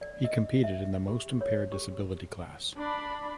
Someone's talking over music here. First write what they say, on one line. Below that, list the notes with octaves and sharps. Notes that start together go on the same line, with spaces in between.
He competed in the most impaired disability class.
D5
D#5
E5
G4
C#5
G4
D4 B5